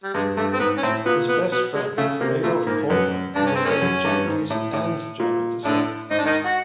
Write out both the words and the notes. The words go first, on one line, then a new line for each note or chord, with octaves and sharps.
His best friend Adolf Kaufmann is of both Japanese and German descent.
G3
G2 G#3
G2 A3
C4
G#2 B3
C#4
A2 C4
A#2 B3
B3
B2 B3
G#3
C#3 A3
C3 A#3
A#2 A3
G#2 A#3
F#2 B3
G2 D4
C#4
C4
G#3 A#3 C#4
F#2
G2
G#2
A2
A2
A#2
A2 D3 D4
G#2 D#4
D4
D#3 D#4
F#4